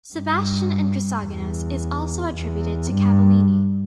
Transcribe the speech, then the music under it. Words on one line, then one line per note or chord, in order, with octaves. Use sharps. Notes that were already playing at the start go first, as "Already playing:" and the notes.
Sebastian and Chrysogonos, is also attributed to Cavallini.
G2
E2
E2
G2